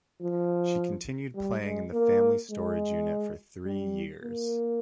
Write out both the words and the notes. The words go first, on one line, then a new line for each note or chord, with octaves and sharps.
She continued playing in the family storage unit for three years.
F3
G3
G#3
A#3
G#3
G3
A#3